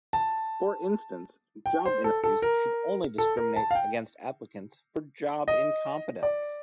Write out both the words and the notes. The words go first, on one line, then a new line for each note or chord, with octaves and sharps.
For instance, job interviews should only discriminate against applicants for job incompetence.
A5
G5
C5
A4
A4
A#4
A4
A#4
A5
F5
G5
D#5
D5